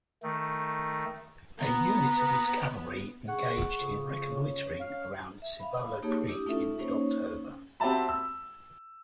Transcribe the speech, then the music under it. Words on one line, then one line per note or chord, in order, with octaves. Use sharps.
A unit of his cavalry engaged in reconnoitering around Cibolo Creek in mid-October.
D#3 A3
B3 A#5
G#4 F#5 C#6
F2 C#3
C#4 C#5
F5
E5
F5 B5
A#3 D#4 G4 G#4 C#5 A5
D4 E4 G4 D#6
A3 C#4 D#4 F4 A4 E5
A#3 C#4 D#4 C5 C#5
C4 F#4 G4 E5 A5 B5
E6